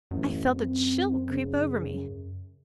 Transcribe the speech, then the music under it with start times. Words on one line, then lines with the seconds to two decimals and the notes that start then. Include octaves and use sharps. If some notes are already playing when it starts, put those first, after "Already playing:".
I felt a chill creep over me.
0.11 A1 F#2
0.52 C4
1.29 C#3